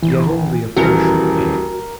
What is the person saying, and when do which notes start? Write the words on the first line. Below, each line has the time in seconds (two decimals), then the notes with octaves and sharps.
Yet only a portion came.
0.03 A#1 E3
0.77 D#1 E3 F#4 A#4 C#7